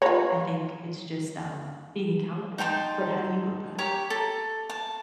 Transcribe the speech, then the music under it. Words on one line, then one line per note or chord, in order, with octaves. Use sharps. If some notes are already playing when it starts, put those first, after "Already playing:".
I think it's just, um, being accountable. But how do you go about it?
F4 B4 C#5 A#5
D#4 G5 A5 C6
G4 C#5 A#5
A4
A5